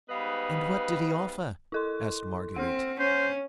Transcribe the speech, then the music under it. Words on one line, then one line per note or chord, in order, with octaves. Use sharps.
"And what did he offer?" asked Marguerite.
G#2 G3 B3 B4 D#5 F5
E4 A4 C6
C4 F#5 F6
C#4 C5